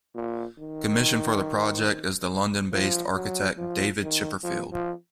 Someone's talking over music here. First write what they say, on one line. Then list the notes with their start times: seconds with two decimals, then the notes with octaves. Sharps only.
Commissioned for the project is the London-based architect David Chipperfield.
0.14 A#2
0.58 D#3
2.72 F3
3.15 F#3
3.58 F3
4.01 D#3
4.43 F3
4.72 F3